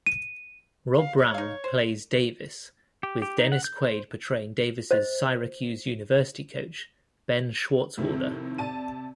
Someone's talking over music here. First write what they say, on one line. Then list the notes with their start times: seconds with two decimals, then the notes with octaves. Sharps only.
Rob Brown plays Davis, with Dennis Quaid portraying Davis' Syracuse University coach, Ben Schwartzwalder.
0.07 D#7
0.97 F5
1.18 C#5
1.34 D#4 F5
1.64 C5
3.03 G4
3.22 G4
3.39 D#4
3.52 F#5
3.64 G6
3.85 C5
4.91 C5 D#5
7.98 F2 A2 C3 D#3
8.58 C3 D5 A5 D#7